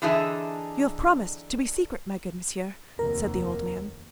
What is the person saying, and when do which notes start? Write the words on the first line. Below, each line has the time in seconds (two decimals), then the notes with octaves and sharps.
"You have promised to be secret, my good monsieur?" said the old man.
0.02 D3 E3 D4 D#4 G#4 E5
2.99 F1 D#2 A#3 A#4